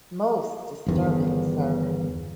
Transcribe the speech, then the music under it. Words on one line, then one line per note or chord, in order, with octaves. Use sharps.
Most disturbing, sir.
G1 E2 D#3